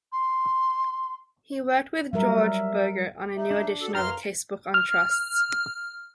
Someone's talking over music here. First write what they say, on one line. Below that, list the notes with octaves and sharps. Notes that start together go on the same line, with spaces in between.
He worked with George Bogert on a new edition of a casebook on trusts.
C6
F#3 G3 A#4 E5
D#4 E5
D4
F#4 A4
F#2 B4 F5 A#5 C6 F6
F6